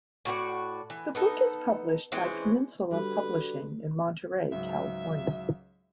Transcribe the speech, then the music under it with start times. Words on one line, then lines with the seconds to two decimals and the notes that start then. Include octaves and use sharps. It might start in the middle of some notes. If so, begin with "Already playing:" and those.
The book is published by Peninsula Publishing in Monterey, California.
0.25 A2 F#4 G4 D5
0.90 E3
1.15 B3 D#4 A4
2.12 E3 G#3 C4 C#4
2.91 D3 G3 F#4 B4
4.52 C#2 G#2 F#3 E5